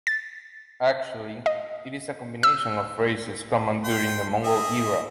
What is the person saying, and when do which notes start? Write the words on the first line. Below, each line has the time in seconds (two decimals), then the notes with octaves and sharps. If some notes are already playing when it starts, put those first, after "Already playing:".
Actually, it is a combination of phrases common during the Mongol era.
0.07 A6
1.46 D#5
2.43 E6
3.84 G5 C6
4.44 G#4 D#5 E5